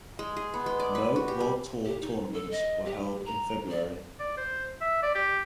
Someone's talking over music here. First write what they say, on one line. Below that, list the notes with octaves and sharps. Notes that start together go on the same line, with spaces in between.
No World Tour tournaments were held in February.
G#3
G#4
B3
G#3
D5
B4
F#4
G4
G3
G4
D#4
A4
D#5
G4
A#5
D5
D5
C5
E5
D5
G4